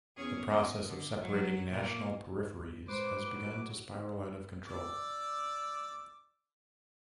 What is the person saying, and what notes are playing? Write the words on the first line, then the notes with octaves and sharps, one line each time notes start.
The process of separating national peripheries has begun to spiral out of control.
E2 C#4 G#4
D#5
D3
F#3
A#2 A3 A#3
D2 G2
A2 G#3 B4 C5 D6
F#3
D5 D6 E6